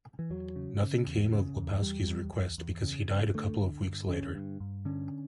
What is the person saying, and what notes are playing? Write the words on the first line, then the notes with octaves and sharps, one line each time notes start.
Nothing came of Wapowski's request, because he died a couple of weeks later.
E3
E2 F#3
C#3
C#3
E2
C#3
E2
E2 G3
E2
E2
E2
C#3
C#3
D3 A3
D3
G2
D3 C#4
G2
G2
D3 C#4